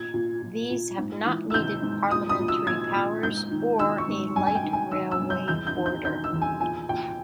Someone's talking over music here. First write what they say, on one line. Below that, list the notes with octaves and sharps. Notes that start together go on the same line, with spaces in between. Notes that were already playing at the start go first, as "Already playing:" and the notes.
These have not needed parliamentary powers or a light railway order.
Already playing: A#2 G#6
A#2
A#2
A#2
G#2
E3
E6
E3 G6
G#2
A#2 D#6
D#6
A#2
E6
A#2 G#6
A#2
G#2 G6
D#3
D#3 E6
C#6
G#2
G2 G#5
G#5
G5
D#3
G#5
D#3 E6
E6
G2
G6
E2 G6
G6
D#3
G6
D#3 G6
E6
E2
G#5
A#2 G#5
A#2 G5